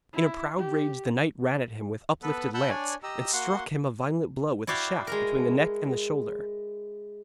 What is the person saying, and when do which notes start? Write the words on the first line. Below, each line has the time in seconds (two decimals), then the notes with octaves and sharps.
In a proud rage the knight ran at him with uplifted lance, and struck him a violent blow with the shaft between the neck and the shoulder.
0.13 E4
0.57 G4
2.22 B3 A4 B4
2.54 F#5 A5 B5 E6 F#6 G6
2.69 D4 C#5 D5 G#5
3.03 G4 D#5 A#5 E6
3.33 A#3 F#4 F#5 C6
4.67 E4 F#4 D5 F5 G5
5.07 G#3 A#4